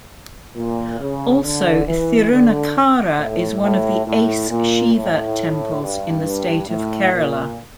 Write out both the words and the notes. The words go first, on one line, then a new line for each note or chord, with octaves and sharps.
Also Thirunakkara is one of the ace shiva temples in the state of Kerala.
A#2
C#3
D3
E3
D3
A2
A2
A2
A#2
A2
G2
A2
A#2